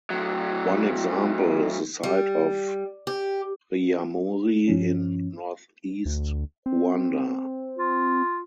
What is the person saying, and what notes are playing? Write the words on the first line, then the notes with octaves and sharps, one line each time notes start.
One example is the site of Ryamuri in northeast Rwanda.
A2 F#3
G3
G4
G2 F3 C#4
D2
C4
F4